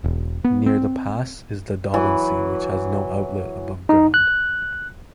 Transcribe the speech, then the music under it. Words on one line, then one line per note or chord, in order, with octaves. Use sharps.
Near the pass is the Daubensee, which has no outlet above ground.
E1
B3
C4
E3 F#3
D#4
F#6